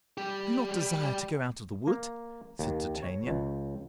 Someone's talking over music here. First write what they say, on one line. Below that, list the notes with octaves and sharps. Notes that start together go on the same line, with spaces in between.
"Do not desire to go out of the wood," said Titania.
G3 G4
A#3
D#2
C#5
C#2